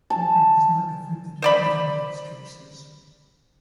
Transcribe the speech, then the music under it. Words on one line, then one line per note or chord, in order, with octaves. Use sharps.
Franklin was not convicted in either of those cases.
A5
C5 D5 B5